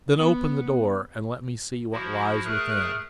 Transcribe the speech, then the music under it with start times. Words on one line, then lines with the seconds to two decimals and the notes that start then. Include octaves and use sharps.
"Then open the door, and let me see what lies within."
0.17 B3
1.92 F3 E4 F#4
2.45 A3 G#4 A#4 F#6